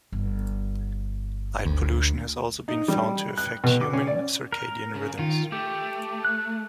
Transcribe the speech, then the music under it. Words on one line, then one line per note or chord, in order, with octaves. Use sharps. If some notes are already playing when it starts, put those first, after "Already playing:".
Light pollution has also been found to affect human circadian rhythms.
G1
D2
D#4
G3
F#6
B2
D6
C#4
D5
A#4
C#3
D#3 F4
A3 G4
F#6